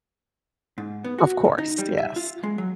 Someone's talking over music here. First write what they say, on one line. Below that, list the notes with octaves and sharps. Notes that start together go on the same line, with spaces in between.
Of course, yes.
G#2
B3
F#4
D2
D#4
G3
E5
F4
G#3
F#3